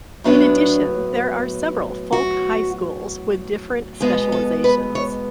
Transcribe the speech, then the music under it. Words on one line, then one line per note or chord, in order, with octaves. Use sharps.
In addition, there are several folk high schools with different specialisations.
A2 F#3 B3 D4
F#4
B2 G#3 B3 G#4
A4
B4
C#5